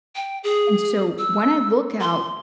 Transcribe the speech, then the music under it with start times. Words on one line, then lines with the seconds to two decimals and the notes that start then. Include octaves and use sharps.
And so when I look out
0.15 G5
0.44 G#4
1.18 E6
2.01 C6